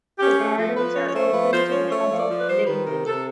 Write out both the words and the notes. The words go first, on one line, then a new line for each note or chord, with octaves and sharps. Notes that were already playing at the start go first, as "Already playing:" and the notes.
The gardens are open to the public daily.
C#4 G4
A3 G#4
F3 A4
F3 B4
C#4 C#5
C#5
A3 C5
F3 B4
F3 C5
C5
C#4 C#5
C5
A3 C#5
F3
D5
F3
B4
G3 C5
D#3 B4
C3 A#4
C3 A4